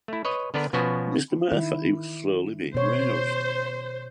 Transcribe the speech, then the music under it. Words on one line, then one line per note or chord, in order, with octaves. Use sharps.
Mr. Murphy was slowly being roused.
A3 E4
B4 C#5 D#5
D3 B3 D4 A#4 B4
B2 F3 B3 C#4 F#4
D#3 E4
B2 C5 C#5